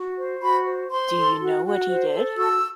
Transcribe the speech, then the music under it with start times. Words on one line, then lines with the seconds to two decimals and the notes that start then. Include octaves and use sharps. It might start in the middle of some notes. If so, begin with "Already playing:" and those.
Do you know what he did?
Already playing: F#4
0.17 C5
0.41 F#4 B5
0.66 C5
0.91 C5 C6
1.16 A4
1.39 F#4
1.65 F#4
1.88 C5
2.13 A4
2.37 F#4 E6